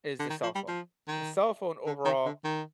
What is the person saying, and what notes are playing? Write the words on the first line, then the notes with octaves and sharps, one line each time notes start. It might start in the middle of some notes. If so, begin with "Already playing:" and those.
is the cell phone. The cell phone overall
D3
D#3
F3
G3
F3
D#3
D3
D#3
D3
D#3